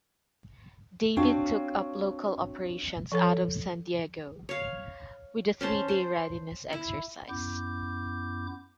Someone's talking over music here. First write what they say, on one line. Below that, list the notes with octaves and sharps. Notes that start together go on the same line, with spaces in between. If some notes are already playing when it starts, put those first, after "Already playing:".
David took up local operations out of San Diego with a three-day readiness exercise.
C4 D4 F#4 C#5 F5
F3 A4 C#5
C#5 F5
C#4 C5 A5 C6
C5
E4
F#2 B3 E4 D6 G6